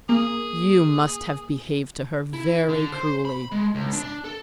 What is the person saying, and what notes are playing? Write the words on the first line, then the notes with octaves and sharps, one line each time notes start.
"You must have behaved to her very cruelly," he said.
A#3 G#4
E4
D3
C5
B5
G#3
C#2
D4
A4